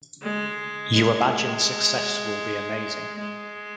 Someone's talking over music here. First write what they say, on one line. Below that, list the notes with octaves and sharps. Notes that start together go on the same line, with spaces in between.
You imagine success will be amazing.
G#3
G#3
G#3